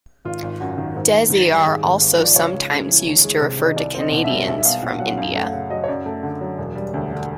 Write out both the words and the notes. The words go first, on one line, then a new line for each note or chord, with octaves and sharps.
Desi are also sometimes used to refer to Canadians from India.
G#1 F4
G#1
F#2 F#4
D#3
G#2
G#2
D#3
G3
G#1 G#4
G#1
G#2
F3
D5
C#2 C#5
C#2
C#3
E3
D2
G#3
C3
D#3
D#5
C2 D5
C4
D#5
B2
E5
G3
B1 E5
E5
B3 F5
A#2 F#5
F#3 F#5
F#2 F5
A3 F#5
C#3 F#5
F#3 D#5
C#5
F#2 D5
A3
D3
F#3
E1
G3
D2
D3